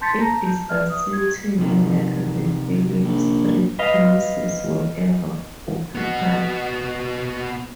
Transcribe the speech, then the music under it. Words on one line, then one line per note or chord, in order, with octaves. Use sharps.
It is uncertain whether the Phillip Street premises were ever occupied.
A5 C6 G6 A6 B6 C#7
A5 A#5 G6 A#6
A5 G6
B4 D5 E5 F6
D#6
G4 G#6
C3 D#3
A#1
B4 D#5 F5
B3 F#4